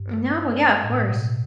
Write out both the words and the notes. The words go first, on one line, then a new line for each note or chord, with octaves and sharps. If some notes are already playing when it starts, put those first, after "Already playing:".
No, yeah, of course.
Already playing: G2
A2
B2